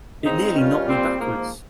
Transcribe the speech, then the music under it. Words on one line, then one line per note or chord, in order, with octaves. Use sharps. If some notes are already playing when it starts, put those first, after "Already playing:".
It nearly knocked me backwards.
C#3 G#3 C4 D#4
G2 D#3 G3 C#4 F4
A#2 G3 C4
G#2 F3 A#3